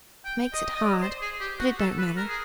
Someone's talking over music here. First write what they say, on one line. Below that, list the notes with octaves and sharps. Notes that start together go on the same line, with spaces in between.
Makes it hard; but it don't matter.'
G5
D#5
D#5
D5
C5
G#4
G4
F#4
A4
B4
A#4
G#4